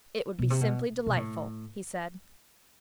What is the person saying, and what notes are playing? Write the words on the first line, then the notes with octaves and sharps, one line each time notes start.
"It would be simply delightful," he said.
B2
C3
B2
B2
A2